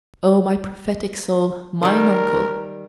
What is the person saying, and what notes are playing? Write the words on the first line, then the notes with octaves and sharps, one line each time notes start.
"Oh, my prophetic soul, mine uncle."
D#3 G3 A#4